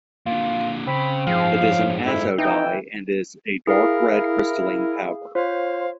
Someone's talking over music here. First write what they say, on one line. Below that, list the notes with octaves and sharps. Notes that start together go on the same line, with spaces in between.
It is an azo dye, and is a dark red crystalline powder.
A#2 D3 F4
C#3 C4 B5
G2 F3 G#3 F5
C#3
F2 E4
E3 D#4 G5
E4 G#4 A#4 F5
F4 C5 C#5 F5